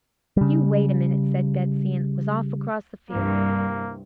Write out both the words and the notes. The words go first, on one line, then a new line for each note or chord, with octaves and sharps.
"You wait a minute," said Betsey, and was off across the field.
C#3 G3
C2 G2 A#3